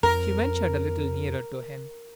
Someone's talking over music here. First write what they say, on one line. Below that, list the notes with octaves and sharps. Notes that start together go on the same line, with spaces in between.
She ventured a little nearer to him.
F2 A#4